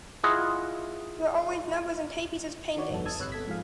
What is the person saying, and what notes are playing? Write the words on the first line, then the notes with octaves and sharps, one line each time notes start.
There are always numbers in Tapies’s paintings.
E4 F4 G#4 D#5 F#5
D#3 E4 F#4 C#5 D5
G1 C2 F2 B3 A4
A5 D#6 E6 G#6
G1 C3 B4 C#5 E6 F#6
B3 A4 G#6 B6
G#2 F3 G#4 F5